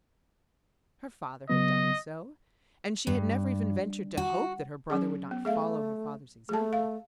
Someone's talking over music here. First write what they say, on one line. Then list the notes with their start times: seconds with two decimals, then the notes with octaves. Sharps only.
Her father had done so, and she had never even ventured to hope that her brother would not follow her father's example.
1.50 C#3 F#3 B3 D#5
3.07 G2
4.17 F#4
4.90 F#3 C#4 G#4
5.31 B3
5.45 A3 G#4 E5 F5
6.49 A3 G#4 A5
6.73 F5